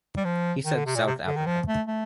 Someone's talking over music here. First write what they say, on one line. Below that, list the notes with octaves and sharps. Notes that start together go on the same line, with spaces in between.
He said, South Africa.
G3
F3
D#3
D3
C3
A#2
C3
D3
D#3
F3
A3
A3